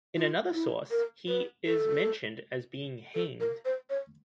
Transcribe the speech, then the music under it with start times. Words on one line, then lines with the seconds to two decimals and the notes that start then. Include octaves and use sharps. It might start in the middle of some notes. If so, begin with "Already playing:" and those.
In another source he is mentioned as being hanged.
0.17 F4
0.54 E4
0.91 A#4
1.28 B4
1.66 A4
3.15 A4
3.40 A#4
3.65 C5
3.90 C#5